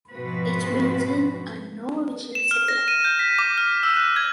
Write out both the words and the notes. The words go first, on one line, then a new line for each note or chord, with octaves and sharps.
H. Benson, a Norwegian settler.
G#2 B2 F3 C4 F#4 B4
E7
F6
A#6
D#7
G6
B6
D6
F6
E6
F#6
G#6